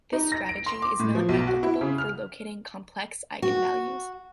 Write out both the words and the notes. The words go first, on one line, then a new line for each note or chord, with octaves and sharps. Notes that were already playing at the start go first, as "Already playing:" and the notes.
This strategy is not applicable for locating complex eigenvalues.
D#4
A#6
D7
C6
D6
A2
F3
B1
F#4
E4
C#3
F6
F#4